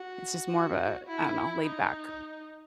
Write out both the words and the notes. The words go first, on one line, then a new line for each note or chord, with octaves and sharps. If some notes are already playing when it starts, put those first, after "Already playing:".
it's just more of a I don't know, laid back,
Already playing: F#4
E4
D#4